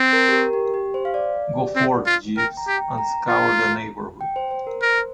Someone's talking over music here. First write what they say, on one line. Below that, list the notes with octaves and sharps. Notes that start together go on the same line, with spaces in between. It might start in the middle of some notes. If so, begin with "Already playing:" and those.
Go forth, Jeeves, and scour the neighbourhood.
Already playing: C4
A#4
G4
A#4
G4
G4
C5
F5
D5
C4
F4
A#4 G5
A#5
G4
G5
A#5
F4
G5
C5
C5
A#4
A#4 C5